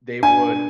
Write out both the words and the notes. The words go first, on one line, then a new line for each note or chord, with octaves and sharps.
they would
D4 G#5